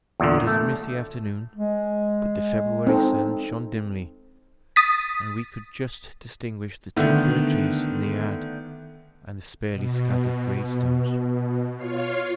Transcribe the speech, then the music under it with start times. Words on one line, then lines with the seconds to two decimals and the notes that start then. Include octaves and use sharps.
It was a misty afternoon, but the February sun shone dimly, and we could just distinguish the two fir-trees in the yard, and the sparely-scattered gravestones.
0.20 E2 A#2 D3
0.47 A3
1.56 G#3
2.87 C4 D#4 A4
4.76 D#6 A6 B6
6.97 D3 D#3 A3 B3
9.70 B2
11.75 F4 C#5 F6 C7